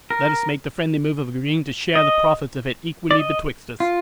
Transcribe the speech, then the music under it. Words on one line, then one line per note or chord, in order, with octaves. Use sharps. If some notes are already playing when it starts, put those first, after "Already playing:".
Let us make the friendly move of agreeing to share the profits of it equally betwixt us.
A#4
D#5
D5
D#5
F4